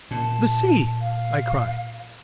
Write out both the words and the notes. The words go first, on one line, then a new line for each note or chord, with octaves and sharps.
"The sea!" I cried.
A#2 A5
F5